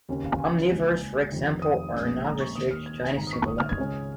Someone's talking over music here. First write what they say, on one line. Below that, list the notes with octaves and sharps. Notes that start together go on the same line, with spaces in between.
Omnivores, for example, are not restricted to any single level.
D#2 C#3 A#3 C#4
F5
G#5
C#2 C#3 A#3 D#4
F1 F2 D#3
D#6
A#1 A#2 G#3 C#4
A#5
C#6
D#2 D#3 A#3 D#4 D#6
F6
G#6
G#5
G#1 G#2 D#3 G#3 A#5
D#6
C#6
D#6
F6
G#6
C#2 C#3 G#3 C#4